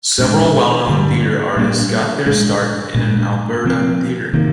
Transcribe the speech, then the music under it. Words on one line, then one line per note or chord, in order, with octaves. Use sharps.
Several well-known theatre artists got their start in an Alberta theatre.
A#2 G#3 D4
G2 D3 G3
A#2 G3 A#3 D4
A#2 G#3 D4
A#2 G#3 D4
C3 F3 C4
C3 D#3 A#3